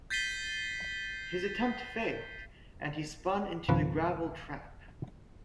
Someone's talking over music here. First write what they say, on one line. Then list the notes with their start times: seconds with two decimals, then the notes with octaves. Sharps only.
His attempt failed, and he spun into the gravel trap.
0.10 G6 A6 B6 C7 D#7 G7
3.69 G#1 C#2 F3 B4